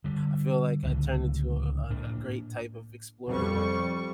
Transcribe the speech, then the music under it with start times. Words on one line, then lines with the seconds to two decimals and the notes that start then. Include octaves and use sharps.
I feel like I turned into a a great type of explorer when
0.04 D3 G3
0.83 C#2 A2 D3
1.90 A2 A#3 D4
3.27 F2 G3 C#6